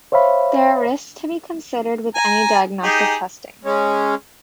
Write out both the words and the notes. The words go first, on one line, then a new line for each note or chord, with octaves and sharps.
There are risks to be considered with any diagnostic testing.
C5 C#5 E5 F5 B5
G#5 A#5
D#4 G4 G#4
G#3 C#4